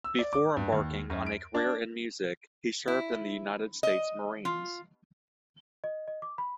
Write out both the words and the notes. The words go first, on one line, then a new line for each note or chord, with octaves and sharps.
Before embarking on a career in music, he served in the United States Marines.
E6
D5
D6
G2
D#2
F#2
D7
D4
E4
D#5
F4
D#5
D#5
D6
B5